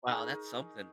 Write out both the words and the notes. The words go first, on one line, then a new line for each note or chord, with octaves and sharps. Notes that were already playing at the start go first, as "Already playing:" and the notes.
Wow, that's something.
D#4 G#4 A#4 C#6